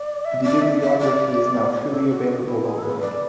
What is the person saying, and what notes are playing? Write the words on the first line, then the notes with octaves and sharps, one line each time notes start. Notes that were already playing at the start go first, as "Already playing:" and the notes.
The bibliography is now freely available online.
Already playing: D5
E5
D5
E5
E5
D5
C#5
A4
F#4
D4
E4
G#4
A4
B4
D5